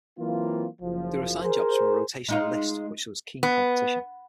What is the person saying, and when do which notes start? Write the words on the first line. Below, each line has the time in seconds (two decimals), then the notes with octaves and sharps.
They were assigned jobs from a rotational list, for which there was keen competition.
0.19 E3 F#3 A#3 C4 F4
0.82 F#1 F3
1.43 G#4 A#4 C5
2.29 G#3 D#4 F4
3.43 B3